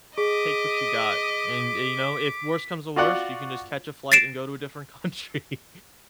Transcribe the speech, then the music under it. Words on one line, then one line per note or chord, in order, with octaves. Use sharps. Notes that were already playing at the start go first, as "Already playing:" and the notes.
Take what you got, and, uh you know, if worse comes to worst, you can just catch a flight and go to a different country.
G#4 D#5 D6 B6
F4 F#4 D5 F#5
A6 A#6 C7 D7 E7